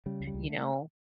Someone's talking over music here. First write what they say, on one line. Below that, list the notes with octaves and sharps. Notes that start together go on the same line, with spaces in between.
you know
C#3 G3
C#2
G3
C#2
A3